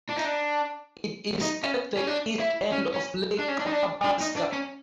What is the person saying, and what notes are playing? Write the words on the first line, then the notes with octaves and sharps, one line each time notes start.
It is at the east end of Lake Athabasca.
D4
D#4
D4
D#4
C#4
C#4
D4
E4
C#4
C#4
D4
C#4
D4
D#4
D4
D4
D#4
D4
C#4